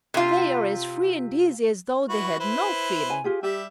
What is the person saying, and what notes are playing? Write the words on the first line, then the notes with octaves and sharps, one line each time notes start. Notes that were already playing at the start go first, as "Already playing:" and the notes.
They are as free and easy as though they had no feeling....
C3 F4
E4 F#4 B4
E4 B4 C5
G#5
F4 G4 G#4
G3 G4 E5